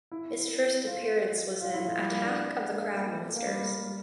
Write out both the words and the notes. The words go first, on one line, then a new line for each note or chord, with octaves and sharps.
His first appearance was in "Attack of the Crab Monsters".
E4
F4
F4
E4
F3
G3
A#3
D4
A#3
A3
A#3
G3
G3